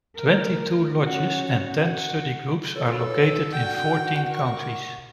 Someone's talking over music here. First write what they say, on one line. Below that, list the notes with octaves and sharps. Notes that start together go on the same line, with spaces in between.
Twenty-two lodges and ten study groups are located in fourteen countries.
A3 A#4
C#4 F#4
F#4
B1 A#2 A4 B4 C#5
D4 F#4 F#5 G5
A#4 C#6